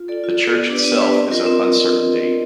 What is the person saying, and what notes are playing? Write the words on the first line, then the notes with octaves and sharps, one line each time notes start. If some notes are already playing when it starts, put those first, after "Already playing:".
The church itself is of uncertain date.
Already playing: F4
A4 D5
F4
A4 D5
B3
D4 G4 B4 D5
B3
D4 G4 B4 D5
C4
F4 A#4 D#5
C4